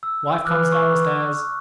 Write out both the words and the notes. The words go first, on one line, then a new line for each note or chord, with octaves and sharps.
Wife comes down the stairs.
E6
E3 D6 F6 F#6
C#6